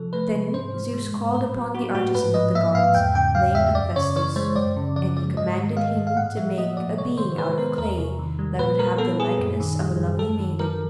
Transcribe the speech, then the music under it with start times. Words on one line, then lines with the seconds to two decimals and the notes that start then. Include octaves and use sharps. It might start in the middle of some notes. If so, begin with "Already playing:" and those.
Then Zeus called upon the artisan of the gods, lame Hephaestus, and he commanded him to make a being out of clay that would have the likeness of a lovely maiden.
Already playing: C3 F3 A4
0.13 A3 B4
0.34 C3
0.54 G#2 C5
0.74 E3
0.93 G#3
1.13 G#2
1.34 A2 B4
1.54 F#3
1.74 A#3 F#4
1.94 A2 F#4
2.14 G#2 B4
2.34 F3 D#5
2.55 A#3 E5
2.75 G#2 F5
2.94 E2 G5
3.15 C#3 G5
3.35 F#3 F5
3.55 E2 E5
3.75 F#2 D5
3.96 C#3 C#5
4.16 E3 C#5
4.36 G#3 C5
4.56 F#2 D5
4.76 C#3
4.96 F3 D5
5.17 G#3 D5
5.37 G#2 D#5
5.57 D#3
5.77 G#3 F5
5.96 G#2
6.07 F5
6.17 A2 F#5
6.37 F3 E5
6.57 A#3 D#5
6.77 A2 D5
6.98 C3 C#5
7.17 D#3 C5
7.38 G#3 B4
7.58 B3 A#4
7.78 E2 A#4
7.98 C3
8.19 D#3
8.39 G3
8.59 A#2 B4
8.79 G3 A#4
8.98 B3 A4
9.19 A#2 G#4
9.39 F#2
9.60 D#3
9.79 G3
9.99 F#2
10.19 F#2 A4
10.39 D#3
10.60 F#3 A#4